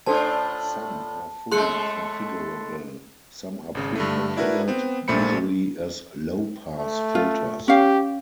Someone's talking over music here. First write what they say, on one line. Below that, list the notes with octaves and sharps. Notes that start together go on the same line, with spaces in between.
Some are fully configurable; some are pre-configured, usually as low-pass filters.
A2 D4 F4 A4 C5 G#5 A5
A2 G#3 A3 G#4 C6 F#6 C#7
G#1 C#3
G2 D3 A3
D4 E4 F#4 A#4 B4
B3 C4
A#1 A#2 A3 C5 B5 C#7
A3
F4
C#4 G4 F5